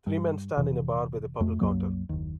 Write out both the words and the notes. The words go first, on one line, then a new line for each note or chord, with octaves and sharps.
Three men stand in a bar with a purple counter.
G2
F1 C3 E3
F2 A3
C2 F#2 F#3 A#3
F#1 D#2